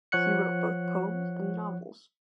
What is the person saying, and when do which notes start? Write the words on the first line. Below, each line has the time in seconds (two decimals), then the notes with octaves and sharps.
He wrote both poems and novels.
0.12 F3 C#5 F#5 F#6 C#7